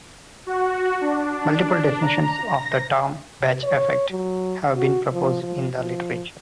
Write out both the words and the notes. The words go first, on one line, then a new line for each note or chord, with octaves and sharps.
Multiple definitions of the term "batch effect" have been proposed in the literature.
F#4
D4
A#5
A#6
C#5
F#3
F#4
F3
F3
F3